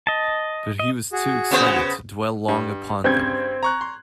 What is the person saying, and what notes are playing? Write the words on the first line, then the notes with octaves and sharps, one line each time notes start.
But he was too excited to dwell long upon them.
D#5 A5
D#5
F#4 G#4
C#3 B3 C5
G2
G2 C#3 C4 G6 G#6
A#5 C#6 F#6
C6